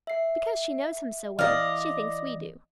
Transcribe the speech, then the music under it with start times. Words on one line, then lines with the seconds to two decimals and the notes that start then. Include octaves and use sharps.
"Because she knows him so well, she thinks we do."
0.07 E5 C7
1.39 E3 D5 D#5 F5